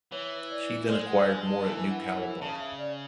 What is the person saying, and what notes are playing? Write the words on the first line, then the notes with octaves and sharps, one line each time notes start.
She then acquired more at New Calabar.
E3 C#5
D5
G#3 D5
F#5
G#5
A5
E3 A5
G#5
F#5
F#5
C#3 A5
E5
D5